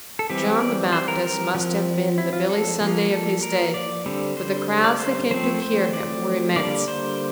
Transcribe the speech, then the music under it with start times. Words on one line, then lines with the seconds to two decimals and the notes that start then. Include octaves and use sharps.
John the Baptist must have been the Billy Sunday of his day for the crowds that came to hear him were immense.
0.19 A4
0.30 E3 G3 C4 G4
0.60 D5
0.92 C5
1.08 A#4
1.24 A#4
1.54 F3 C4
2.18 E4
2.33 F4
2.49 A4
2.80 F3 A#3
3.11 A4
3.43 A#4
3.74 D5
4.06 D3 G3 C4
4.37 C5
4.84 D5
4.99 C5
5.31 F3 A3 C4 C5
5.62 C5
5.93 D5
6.56 D3 G3 A#3 D5
6.88 C5